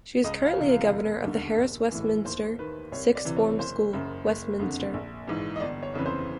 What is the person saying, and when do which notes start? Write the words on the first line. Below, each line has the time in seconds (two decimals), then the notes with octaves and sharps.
She is currently a governor of the Harris Westminster Sixth Form School, Westminster.
0.24 C#2 D#5
0.46 F5
0.57 C3 E3
0.69 F5
0.91 E1
1.25 D#2 D3
1.58 A#1
1.92 A2 E3
2.25 D#2 C5
2.59 D#3 B4
2.92 C2 C#5
3.15 D5
3.25 C3 E3
3.37 C#5
3.59 F#1 C5
3.93 F#2 C#3
4.26 F#1
4.59 F2 D3
4.94 A#1
5.27 G#2 E3
5.56 D#5
5.60 G1 D5
5.83 C#5
5.94 F2 C#3 E3 B4
6.06 C5